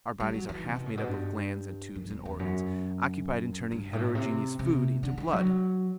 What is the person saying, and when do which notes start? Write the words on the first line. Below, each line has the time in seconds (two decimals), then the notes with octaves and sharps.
Our bodies are half made up of glands and tubes and organs, occupied in turning heterogeneous food into blood.
0.20 G3
0.34 F#3
0.49 E3
0.64 C3
0.75 B2
0.86 A2
0.97 B2
1.07 G2
1.95 F#2
2.10 E2
2.25 E2
2.39 F#2
3.72 G2
3.93 A2
4.15 C3
4.59 C3
5.03 D3
5.18 D3
5.33 F#3